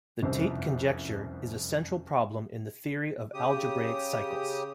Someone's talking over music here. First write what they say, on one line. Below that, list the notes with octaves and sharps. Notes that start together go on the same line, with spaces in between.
The Tate conjecture is a central problem in the theory of algebraic cycles.
F1 C2 F#2 E4 C5
C#3 G4 D#6